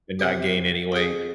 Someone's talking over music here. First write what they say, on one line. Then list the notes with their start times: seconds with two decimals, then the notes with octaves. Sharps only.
and not gain any weight.
0.19 C3 G4
0.92 F2 G#4